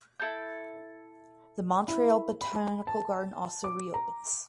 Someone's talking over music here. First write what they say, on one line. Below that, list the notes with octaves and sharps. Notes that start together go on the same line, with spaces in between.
The Montreal Botanical Garden also reopens.
E4 A4 A5 G6
E4
B5
A5
D6
A#5